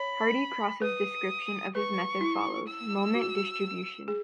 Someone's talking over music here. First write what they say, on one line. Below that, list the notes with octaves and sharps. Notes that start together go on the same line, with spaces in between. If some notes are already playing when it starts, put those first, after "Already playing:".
Hardy Cross's description of his method follows: Moment Distribution.
Already playing: C#5 B5
B4 D#6
B4 C#6
E4
E6
F#4
G#4